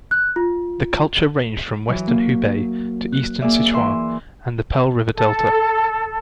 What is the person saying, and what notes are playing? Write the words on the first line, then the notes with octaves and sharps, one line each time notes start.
The culture ranged from western Hubei to eastern Sichuan and the Pearl River Delta.
F#6
F4
E3 F#3
A#3
F#6
A#3 G#4 D5 E5
E3 E5 C6
A4